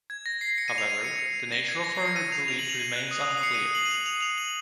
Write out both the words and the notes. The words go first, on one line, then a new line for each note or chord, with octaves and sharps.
However, the nature of her belief remains unclear.
G#6
A#6
C7
C#7
D#7
F7
D#7
C#7
A#6
G#6
A#6
C7
C#7
D#7
F7
F7
F#7
F7
D#7
F#6
D#6
D#6
C7
C#7
D#7
F#7
D#7
F7
F7
F7
F#7